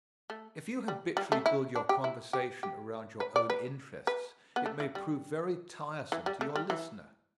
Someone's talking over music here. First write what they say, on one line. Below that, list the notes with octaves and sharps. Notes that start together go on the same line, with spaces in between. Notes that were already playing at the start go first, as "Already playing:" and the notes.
If you habitually build your conversation around your own interests it may prove very tiresome to your listener.
A3
G3
G3
A3
E4
D4
G4
E4
G4
G4
B4
D5
B4
B4
B3
A3
E3
G3
E3
G3
A3
G3
E3